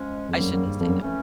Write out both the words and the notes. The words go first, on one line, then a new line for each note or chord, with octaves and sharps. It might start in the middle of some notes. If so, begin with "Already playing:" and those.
I shouldn't say no.
Already playing: F3 G#3 C#4
F2 G#2 D#3 G3 A#3
F#2
F#2
G2
F2
F#2
A2 E3 A3 C#4